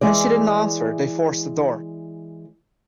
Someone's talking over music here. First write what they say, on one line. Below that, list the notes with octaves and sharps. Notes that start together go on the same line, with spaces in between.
When she didn't answer, they forced the door.
E3 G#3 D5